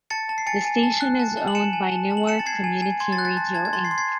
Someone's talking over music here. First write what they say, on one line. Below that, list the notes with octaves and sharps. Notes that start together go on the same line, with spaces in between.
The station is owned by Newark Community Radio Inc.
A5 A6 C#7
A5
C7
G#5 A6 C#7
G#5
A5
F#6
A5
A5
F#7
G#5 C#7 E7
G#5
A5
A5
F#7
A5 C#7 E7
A6
A5 G#6 C7
G#5
G#5
C6 G#6
A6
F#6
A6
A5 A6
A5 G#6
G#6
C6 A6
G#6 C7
C6
G#6 C7